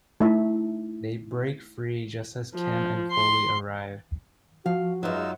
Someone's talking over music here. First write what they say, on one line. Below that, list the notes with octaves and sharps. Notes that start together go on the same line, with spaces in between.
They break free just as Kim and Foley arrive.
A3 D#4 E4 E5
F3
C6
F3 F#4 F5
F#2 F#3 G#3 D#4 F4 G#4 B4 E6